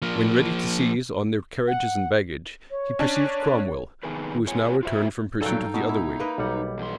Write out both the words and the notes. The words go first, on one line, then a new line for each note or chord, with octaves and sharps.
When ready to seize on their carriages and baggage, he perceived Cromwell, who was now returned from pursuit of the other wing.
F3 A#3
F#5
C#5
C#4 D4
C3 D#3 B3 G#4 B4
C4 F4 G#4 C#5 F#5 G#5
F4 F#4 C5 C#5 E5
G2 F#3 D#4 A4 F5 G5
B2 F#3
E4
A#3 B4 D#5
B1 G3 F#5
E2 C6